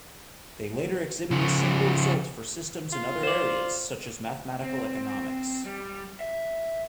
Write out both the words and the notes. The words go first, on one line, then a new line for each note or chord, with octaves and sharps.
They later exhibited similar results for systems in other areas, such as mathematical economics.
C#3 F3
F4
C5 D5
C4
G3
E5